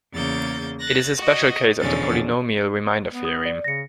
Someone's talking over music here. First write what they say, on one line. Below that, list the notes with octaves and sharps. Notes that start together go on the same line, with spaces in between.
It is a special case of the polynomial remainder theorem.
E2 C#3 A#3 G6 A6
F#6 A6 A#6
F#4 D#5
E2 B2 D3 F3 C#4 A6
B3
D#6
D5
C#3 A#6 C#7